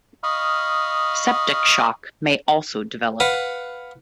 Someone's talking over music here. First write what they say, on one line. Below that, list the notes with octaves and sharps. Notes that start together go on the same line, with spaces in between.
Septic shock may also develop.
D#5 F5 B5 C#6 D#6 F6
B4 F5 F#5 B5